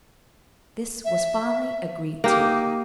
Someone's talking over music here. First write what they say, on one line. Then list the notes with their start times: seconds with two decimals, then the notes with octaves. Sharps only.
This was finally agreed to.
1.05 E5
2.24 A#3 D#4 G4